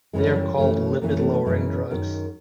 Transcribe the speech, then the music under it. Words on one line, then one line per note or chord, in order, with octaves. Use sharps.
They are called lipid-lowering drugs.
F#2 C#3 E3 G#3
G#3
G3
F#2 C#3 E3 A3
F#2 C#3 E3 A#3
A3
A3
F#2 C#3 E3 G#3
F#2 D#3